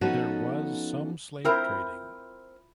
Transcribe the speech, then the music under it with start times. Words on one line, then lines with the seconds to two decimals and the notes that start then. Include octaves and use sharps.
There was some slave trading.
0.01 F3 B3 C#4 D#4 F#4 A4
1.45 C4 E4 F4 A#4 C5 B5